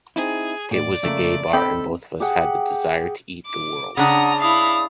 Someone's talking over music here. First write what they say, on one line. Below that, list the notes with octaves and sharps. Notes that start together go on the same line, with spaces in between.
It was a gay bar and both of us had the desire to eat the world.
C4 D#4 E4 G#4
A2 D5
F2 C#3 A3 A#3
C4 A4 D#5 G5 B5
G4 G#4 F#5
D6
C#3 D4 F#5 A#5 D#6
E4 F5 D#6